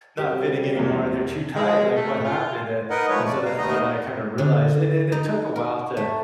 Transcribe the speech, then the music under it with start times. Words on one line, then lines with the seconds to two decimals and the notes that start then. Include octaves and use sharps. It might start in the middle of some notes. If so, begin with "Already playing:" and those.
not fitting anymore, they're too tight, like, what happened?" Eh, and so that's when I kinda realized and then it took a while to
0.18 C3 F#3 G3 G4
0.75 E2 G#3 A#3
1.55 G#3
1.95 A3
2.24 F4
2.90 D#4 A#4 B4 D#5 F#5
3.09 F3 G#3 A3 B4 C#5
3.27 D5
3.45 G3 F5 A#5
3.58 D#2 A3 B3 D#4 D#5 A#5
3.85 B3
4.38 D3
5.12 D#4
5.56 A#4
5.97 A3